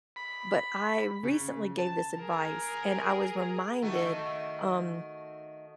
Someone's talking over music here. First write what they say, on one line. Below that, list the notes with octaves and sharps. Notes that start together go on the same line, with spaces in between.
but I recently gave this advice, and I was reminded, um,
B5
C#3
A5
G#4 A#4
D#3 A3 F#4